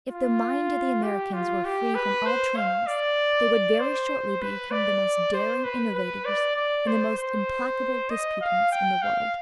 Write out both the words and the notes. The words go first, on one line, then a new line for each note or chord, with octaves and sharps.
If the mind of the Americans were free from all trammels, they would very shortly become the most daring innovators and the most implacable disputants in the world.
F4
G4
F4
G4
B4
C5
F5
D5
C5
B4
D5
C5
B4
B4
D5
D5
C5
C5
D#5
F5
G5
F5